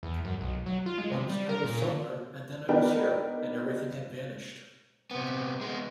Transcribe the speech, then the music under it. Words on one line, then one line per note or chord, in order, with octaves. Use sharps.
Once I was somewhere and then I was here, and everything had vanished.
E2
F#2
B1
F#3
F4
G#3
C3
G3
A#4
A#2
D3
B3 D4 D#4 A#4 B4 G5
C3 B3
G#3 B3